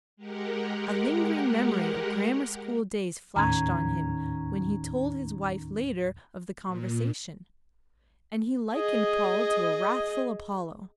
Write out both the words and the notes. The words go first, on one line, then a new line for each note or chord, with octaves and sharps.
A lingering memory of grammar school days flashed on him when he told his wife later of the conversation, and he likened Paul to a wrathful Apollo.
G#3 G4 A#4 F#5
D#2 A2 D#3 C#4 A#5 G#6
A#2
G#4 D#5